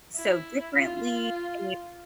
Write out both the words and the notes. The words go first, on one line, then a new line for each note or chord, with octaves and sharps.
so differently," and you
E4
F4